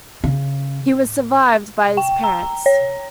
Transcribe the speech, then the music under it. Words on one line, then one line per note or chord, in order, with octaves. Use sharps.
He was survived by his parents.
C#3
G5
A#5
C#5